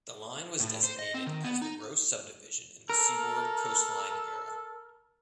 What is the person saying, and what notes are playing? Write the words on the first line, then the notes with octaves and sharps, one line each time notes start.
The line was designated as the Gross Subdivision in the Seaboard Coast Line era.
A2
C5
D#5
C4
D#3
B3
D#4
A4 A#4